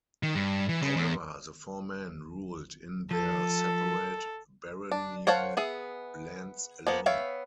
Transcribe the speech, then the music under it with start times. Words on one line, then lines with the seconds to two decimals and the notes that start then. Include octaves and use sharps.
However, the four men ruled in their separate baronial lands alone.
0.23 D#3
0.35 G2
0.69 E3
0.82 C#3
0.96 E2
3.11 F3 A4
4.92 D4
5.27 C5 C#5 F5 F#5 A5
5.57 B3 G#4 E5
6.87 F3 A#3 B3
7.06 B3 C#5 E5 F5 G5